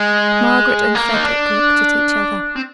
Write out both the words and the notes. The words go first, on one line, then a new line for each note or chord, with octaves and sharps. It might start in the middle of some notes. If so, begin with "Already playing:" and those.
Margaret and Frederick looked at each other.
Already playing: G#3
A#3
D#4
D4
C4